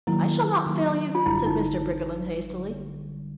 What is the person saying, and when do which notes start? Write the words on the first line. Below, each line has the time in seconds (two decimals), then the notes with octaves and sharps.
"I shall not fail you," said Mr. Briggerland hastily.
0.07 D#3 F#3 A#3 E4
0.66 D#3 F#3 A#3
1.15 F4
1.26 G#1 F#2 D3 G3 E4
1.46 D#4